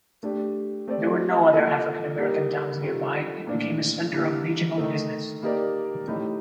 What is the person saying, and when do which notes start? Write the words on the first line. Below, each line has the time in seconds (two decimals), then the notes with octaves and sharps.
There were no other African-American towns nearby, it became a center of regional business.
0.23 A3 D4 G4
0.88 A3 C4 G4 D5
1.53 A#3 F4 A4 D#5
2.18 G3 A#3 D#4 G4 A#4
2.82 D#3 G3 C4 F4 A4
3.47 A#2 A3 D4
4.12 D3 G3 A#3
4.78 D#3 A3 D#4 A4
5.42 A#3 D#4 G4 A#4 D5
6.07 A2 A3 D#4 G4